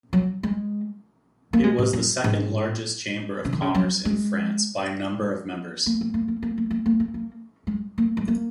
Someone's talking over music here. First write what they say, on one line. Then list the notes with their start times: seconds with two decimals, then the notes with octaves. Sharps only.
It was the second largest Chamber of Commerce in France by number of members.
0.13 F#3
0.43 G#3
1.53 A#3
1.64 G#3
1.78 G#2
1.93 F#2
2.24 G#2
3.45 C#3
3.53 D#3
3.61 C#3
3.75 F#3
4.05 G#3
5.86 A#3
6.01 A#3
6.14 A#3
6.28 A#3
6.43 A#3
6.58 A#3
6.71 A#3
6.86 A#3
7.00 A#3
7.14 A#3
7.67 G#3
7.98 A#3
8.17 G#3
8.28 A#3